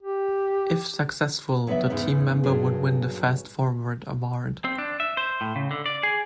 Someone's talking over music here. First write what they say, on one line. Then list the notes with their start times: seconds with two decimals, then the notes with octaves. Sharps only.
If successful, the team member would win the Fast Forward award.
0.02 G4
1.67 F#3 B3 B4 D5 E5
1.90 E2 G#2 C#3 B3 D#4
2.43 G2 A#2 F#3 G#4
4.65 C4
4.78 D4
5.00 E5
5.17 C5
5.41 A2
5.56 C#3
5.71 D3
5.86 D5
6.03 G#4